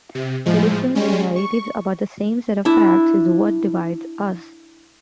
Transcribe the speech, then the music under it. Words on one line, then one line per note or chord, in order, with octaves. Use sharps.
The difference in narratives, about the same set of facts, is what divides us.
C3
A2 F3 G#3
G3 G#3 C#4
C#6
D4 E4 E5